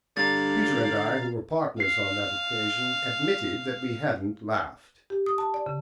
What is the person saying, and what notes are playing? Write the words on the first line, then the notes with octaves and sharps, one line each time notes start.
Peter and I, who were partners on that occasion, admitted that we hadn't laughed.
G2 D3 F5 A#5 A6
F5 C7
G4
D#6
A5
D5
C#3